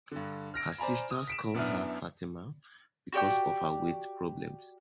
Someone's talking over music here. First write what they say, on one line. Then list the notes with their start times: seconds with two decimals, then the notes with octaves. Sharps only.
Her sisters called her Fatima because of her weight problems.
0.12 G2 D3
0.54 F6 A#6 D7
0.78 C5 D5 G#5 A#5 B5
1.11 D#6
1.27 B6 D7 E7
1.54 F#2 B3 D4 E4 F6
3.12 F#4 G4 D5 G5